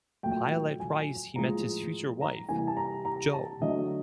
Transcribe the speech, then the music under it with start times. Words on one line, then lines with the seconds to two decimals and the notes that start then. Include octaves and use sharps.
While at Rice he met his future wife Jo.
0.23 A#2 F#3 A3 G5
0.80 G#5
1.36 A2 F3 G#3 A#5
2.21 A#5
2.49 C3 E3 G3 A#3 G#5
2.67 A5
2.77 A#5
3.05 A#5
3.33 A5
3.61 D3 F#3 A3 D#5